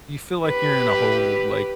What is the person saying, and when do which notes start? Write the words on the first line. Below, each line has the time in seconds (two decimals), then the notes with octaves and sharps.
You feel like you're in a whole, like,
0.47 G4 B4